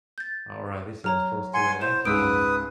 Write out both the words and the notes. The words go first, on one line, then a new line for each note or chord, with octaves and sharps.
or at least it was close to it. That game
G6 A6
F#3 C#5 A#5 F6
F#5 G#5 C6
E4 C5 E7
C#2 G#2 C#3 B4 D#6 E6 D7